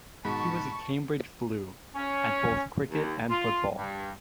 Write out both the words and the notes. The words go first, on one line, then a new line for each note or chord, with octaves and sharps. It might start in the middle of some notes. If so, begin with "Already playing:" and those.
He was a Cambridge Blue at both cricket and football.
G#2 B2 D#3 A5 B5 C#6
C#4
D#2
F4
G2